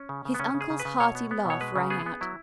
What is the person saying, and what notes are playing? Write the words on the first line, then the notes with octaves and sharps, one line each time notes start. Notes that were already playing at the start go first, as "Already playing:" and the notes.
His uncle's hearty laugh rang out.
Already playing: C#4
C#3
C#3
B3
C#3 C#4
C#3
G#4
C#3
B4
C#3
B2 C#5
B3
B3
B2 C#5
G#3 B4
C#3
B3 G#4
B3
F#3 E4